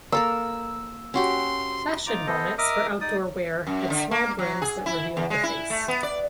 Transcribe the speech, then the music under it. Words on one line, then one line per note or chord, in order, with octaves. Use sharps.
Fashion Bonnets for outdoor wear had small brims that revealed the face.
A#3 A4 A#4 E6
C#4 F#4 G4 C6
D#4 F4 A#5 D6
B3 A4 C5 D#5
A#4 D#5 E5 D6 D#6 F6
D#4 D5 D#6
F#2
D3
A#3
F#3
G#4
E4
E2
G#3
E4
A3
B3
D5